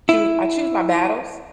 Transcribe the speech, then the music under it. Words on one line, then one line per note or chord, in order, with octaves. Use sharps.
choo I choose my battles.
E4